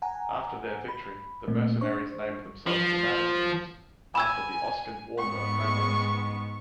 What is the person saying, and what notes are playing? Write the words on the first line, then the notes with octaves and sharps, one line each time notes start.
After their victory, the mercenaries named themselves the Mamertines after the Oscan war-god Mamers.
F#5 G#5 A#5
B5
A#2 A3 A#3 C4
D4 C5 C#6
F3
G#5 B5 E6 G#6
G#2 G#3 B3 C#6